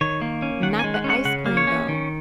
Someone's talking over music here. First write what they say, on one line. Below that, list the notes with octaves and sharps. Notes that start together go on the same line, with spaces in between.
not the ice cream though,
D#3 C#5
A#3
C#4
D#3 F#5
G#5
G#3
F#5
C#4
F#5
C#3 F#5
A#3
C#5
C#4
D#3